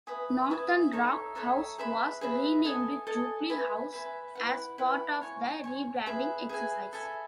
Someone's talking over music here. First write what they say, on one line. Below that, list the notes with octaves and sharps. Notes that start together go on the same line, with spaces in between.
Northern Rock House was renamed Jubilee House as part of the rebranding exercise.
B4 E5 G#5 D#6
B4 E5 G#5 D#6
D#4 A4 C#5 E5
D#4 A4 C#5 E5
G#4 B4 E5 B5
G#4 B4 E5 B5
A4 D#5 G#5
A4 D#5 G#5
B4 E5 G#5 B5
B4 E5 G#5 B5
E4 B4 F#5
E4 B4 F#5
C#5 G#5 C#6
C#5 G#5 C#6
G#4 B4 E5 G#5
G#4 B4 E5 G#5
A4 E5 G#5 B5